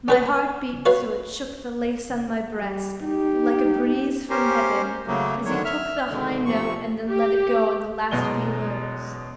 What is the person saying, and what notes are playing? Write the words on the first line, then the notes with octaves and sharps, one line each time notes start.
My heart beat so it shook the lace on my breast, like a breeze from heaven, as he took the high note and then let it go on the last few words.
C#4 B4 C5
F#4 B4 C#5 F5
G3
D#4 G4
C#4 G4 A#4 C5
C#3 F#3 A3 A#3
D3 D#3 F#3 C#5
E5 F6
B2 D3 D#3 G#3
D2 C3 F3 C#6
G4
E1 F#2 B2 G#3 D#5 G7